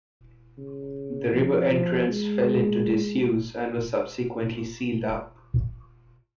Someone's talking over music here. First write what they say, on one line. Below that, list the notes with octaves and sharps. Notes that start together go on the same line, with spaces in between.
The river entrance fell into disuse and was subsequently sealed up.
C#3
F3
F3
G#3